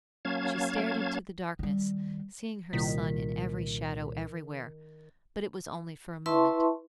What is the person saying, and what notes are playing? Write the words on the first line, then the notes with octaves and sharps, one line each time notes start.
She stared into the darkness, seeing her son in every shadow everywhere; but it was only for a moment.
F#3 A#3 C#4 F5 A5 G#6
D#3 G3
C2 A#2 D#3 B6
E4 B4 E5 A5 C6 C#6